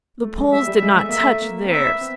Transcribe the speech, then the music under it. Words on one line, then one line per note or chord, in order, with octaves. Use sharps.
The Poles did not touch theirs.
A3
G#3
G3 E5
G3
A3 E5
G#3
A3 E5
A#3 E5
A3
A#3
C4
B3 E5
C4